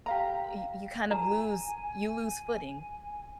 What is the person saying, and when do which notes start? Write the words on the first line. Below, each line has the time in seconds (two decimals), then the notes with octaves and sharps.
y you kind of lose you lose footing.
0.06 G4 F5 A#5
1.11 G#5 A#5